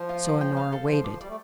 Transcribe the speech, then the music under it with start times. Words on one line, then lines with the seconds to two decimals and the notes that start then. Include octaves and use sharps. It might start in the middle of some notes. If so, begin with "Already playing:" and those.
So Honora waited.
Already playing: F3
0.09 F4
0.25 D5
0.41 G5
0.57 F5
0.72 A4
0.88 F3 C5
1.04 F3 D6
1.20 G3 D5
1.28 A3